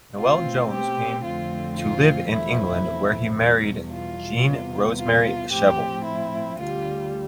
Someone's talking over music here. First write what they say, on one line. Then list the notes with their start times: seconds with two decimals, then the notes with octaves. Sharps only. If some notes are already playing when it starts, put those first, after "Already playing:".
Noel Jones came to live in England, where he married Jean Rosemary Cheval.
0.17 B2 A3 C4 F4
0.70 G4
1.23 F2 D3 A3 C4 F4
1.77 F4
2.30 E2 C3 F3 A3 C4 E4
3.38 E2 B2 G3
3.91 F4
4.45 E2 C3 G3 B3
4.98 F4
5.51 A2 F3 C4 G4
6.04 E4
6.58 D2 D3 G3 F4